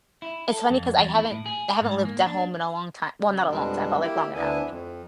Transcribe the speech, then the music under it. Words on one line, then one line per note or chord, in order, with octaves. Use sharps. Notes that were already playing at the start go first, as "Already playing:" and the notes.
it's funny 'cause I haven't I haven't lived at home in a long ti well, not a long time, but, like, long enough,
E4
A4
F2
E2
E4
A2
G#4
G#2
A#3
D4
C#3
F2 B2 G3 G#3 D4
A#3 E4 G4
D2 B3 D4 E4 G#5
F2